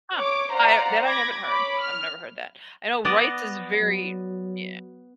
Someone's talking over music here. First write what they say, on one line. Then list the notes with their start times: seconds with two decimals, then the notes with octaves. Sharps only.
Huh, I that I haven't heard. I've never heard of that. I know rice is very yeah.
0.17 C#5 D6
0.52 C5 D5 F5 F#5 A#5
1.07 B5 D6 G#6 A#6
1.44 C#5 B5 D6
1.83 F6
3.05 B3 D5 D#5
3.82 F#3